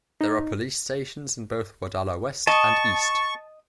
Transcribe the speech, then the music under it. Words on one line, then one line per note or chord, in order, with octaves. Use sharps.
There are police stations in both Wadala West and East.
D#4
D#5 A5 C#6